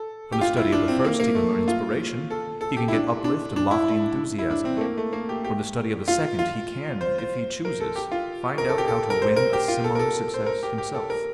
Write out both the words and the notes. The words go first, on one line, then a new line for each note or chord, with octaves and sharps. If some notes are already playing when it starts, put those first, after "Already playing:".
From the study of the first he can learn inspiration, he can get uplift and lofty enthusiasm. From the study of the second he can, if he chooses, find out how to win a similar success himself.
Already playing: A4
G4
F4
E4
D4
C4
A#3
A#3
A3
F4
A4
A4
G4
E4
D4
D4
D4
E4
E4
D4
C4
A3
A#3
A3
A#3
G4
G4
F4
F4
C5
C5
A#4
A4
G4
F4
A#4
A4
G4
A4
A#4
C5
A#4
G4
F4
A4
A#4
A4
C5
A#4
G4
G4
A4
A#4